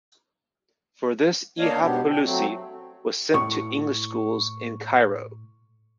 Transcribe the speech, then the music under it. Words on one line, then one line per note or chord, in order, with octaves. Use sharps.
For this Ihap Hulusi was sent to English schools in Cairo.
A#3 D4 C#5 D#5 F5
G#2 B2 B3 D4 G4
D4 G5
F#3 A3 C4
A2 C#6